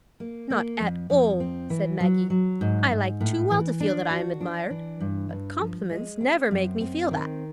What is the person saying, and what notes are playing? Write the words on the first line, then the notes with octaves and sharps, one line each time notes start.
"Not at all," said Maggie; "I like too well to feel that I am admired, but compliments never make me feel that."
A#3
A#3
F2
F2
C4
E3
F#3
F#3
G#2
G#2
A2
E3
D4
F#4
D4
E3
G2
G2
F3
G#3
C4
F#2
C4
D#3